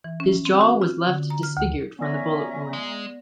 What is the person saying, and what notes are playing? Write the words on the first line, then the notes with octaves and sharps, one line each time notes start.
His jaw was left disfigured from the bullet wound.
E3
C#4
C4
F#4
F4
D3
A#5
F6
D2
B3 C#4 D5 E5 G#5 A#5 A#6
G#3